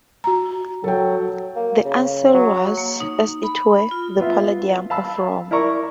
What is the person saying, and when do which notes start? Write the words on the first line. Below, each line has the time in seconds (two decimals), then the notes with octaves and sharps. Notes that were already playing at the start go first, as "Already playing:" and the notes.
The Ancile was, as it were, the palladium of Rome.
0.24 F#4 A#5
0.84 F#3 A4 G5
1.56 A#3
1.85 C#3
2.34 F#3
2.77 A#3
3.00 D#4
3.43 B5
3.91 F4
4.20 B3 F4 E5
4.90 F5 A5 B5 E6
5.51 E4 A#4 D5 A#5 C#6